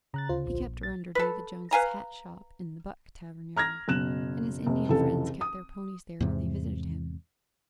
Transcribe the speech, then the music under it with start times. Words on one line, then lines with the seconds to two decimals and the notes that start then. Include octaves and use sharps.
He kept her under David Jones's hat shop in the "Buck" tavern yard, and his Indian friends kept their ponies there when they visited him.
0.14 C#3 A#5 F#6 A6
0.29 D2 F4 C5
0.47 A#1
0.83 A6
1.15 A4 B4
1.71 B4 F5 G#5 A#5
3.57 A#5 F6 G#6 A#6
3.88 F#1 B2 F#6 E7
4.66 F1
4.89 F1 C#2 E3 A4
5.41 D#6
6.20 E2 G#2 C3